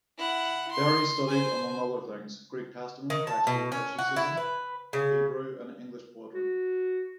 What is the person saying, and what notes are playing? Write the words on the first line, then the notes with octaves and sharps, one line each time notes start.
There he studied, among other things, Greek testament textual criticism, Hebrew, and English poetry.
E4 F#5
C6
C5 G#5
D#3
A5
B2
C#4
F#4
E4
B4
C#3
F#4